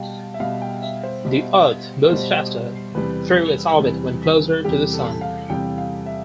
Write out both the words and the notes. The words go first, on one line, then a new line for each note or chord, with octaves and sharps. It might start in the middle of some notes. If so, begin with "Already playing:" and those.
The earth moves faster through its orbit when closer to the sun.
Already playing: B2 G3 F5 G5 A5
E5
B2 G3 F5
G5
E5
C5
B2 G3
B2 G3 C5
E2 C3 G3 B4
E2 C3 G3
E2 C3 G3 G4
A4
F5
E2 C3 G3 G5
F5
E5